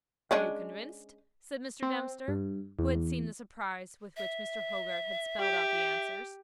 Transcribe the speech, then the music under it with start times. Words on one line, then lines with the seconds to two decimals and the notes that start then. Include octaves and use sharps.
"Are you convinced?" said Mr. Dempster, who had seen the surprise with which Mr. Hogarth had spelled out the answers.
0.31 G#3 C#4 D4
1.83 C4
2.28 G2
2.79 E2
4.16 E5
5.40 G4